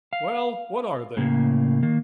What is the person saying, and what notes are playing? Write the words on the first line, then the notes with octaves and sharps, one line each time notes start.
"Well, what are they?"
F5
A2 C#3 A#3
D#3 A#3